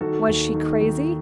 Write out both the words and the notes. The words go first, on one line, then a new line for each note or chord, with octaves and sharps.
Was she crazy?
D#3 F#4 A4
D#2
D#3
D#3